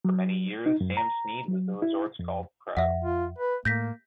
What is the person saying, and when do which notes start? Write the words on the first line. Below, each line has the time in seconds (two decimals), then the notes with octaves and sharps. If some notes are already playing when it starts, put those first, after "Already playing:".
For many years, Sam Snead was the resort's golf pro.
0.05 F#3
0.66 D#4
0.81 F#2
0.97 A#5
1.48 F#3
1.82 E4
2.19 F2
2.77 F2 E5 F#5
3.04 F4
3.39 B4
3.65 A2 A#3 G6 A#6 B6